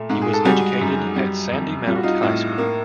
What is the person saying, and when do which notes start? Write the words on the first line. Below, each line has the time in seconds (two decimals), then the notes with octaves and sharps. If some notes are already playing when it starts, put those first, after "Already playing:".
He was educated at Sandymount High School.
Already playing: A#2 A3
0.10 G#2
0.21 G#4
0.33 A4
0.45 G3 F#4 G#4
0.81 F#2
1.16 G3
1.52 F2
1.87 G3 F4
1.96 F#4
2.03 D#4 F4
2.23 A2
2.58 A#3